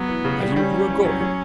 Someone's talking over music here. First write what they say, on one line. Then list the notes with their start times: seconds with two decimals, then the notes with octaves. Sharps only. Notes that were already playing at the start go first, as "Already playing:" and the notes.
I hear you are going.
Already playing: F#3 B3
0.08 E3
0.25 C#3
0.40 G3
0.56 G3 C#4
0.73 F#3
0.89 E3
1.05 F#3
1.20 F#3